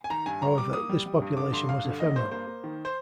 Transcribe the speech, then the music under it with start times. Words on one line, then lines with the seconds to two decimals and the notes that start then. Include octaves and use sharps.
However, this population was ephemeral.
0.04 G#5
0.10 D#3 A#5
0.26 G2 G#5
0.42 G3 A#5
0.58 G3 D6
0.73 A#3 D#6
0.89 G3
1.06 G3
1.22 G2
1.37 D3 D6
1.53 G2 C6
1.69 G2 F5
1.85 D3
2.00 A#3 D#5
2.16 G2 C5
2.32 A#3 C5
2.47 A#3
2.64 D#3
2.85 C5